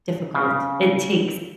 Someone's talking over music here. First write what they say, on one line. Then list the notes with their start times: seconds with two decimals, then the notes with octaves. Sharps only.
difficult, it takes
0.35 C#3